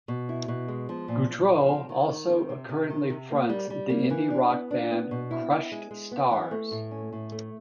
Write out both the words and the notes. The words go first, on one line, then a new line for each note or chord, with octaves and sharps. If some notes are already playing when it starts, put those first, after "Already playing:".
Gautreau also currently fronts the indie rock band Crushed Stars.
B2
E4
B2
G#3
F3
A#2
A#2
F3
C4
D#3
D#3
C4
C3
C3
D#3
C3
A#3
G3
G3
A#3
E3
D4
B3
D4
B3
B2
E4
E4
G#3
G#3
B3
E3
A3
A2
C#4
A2
A3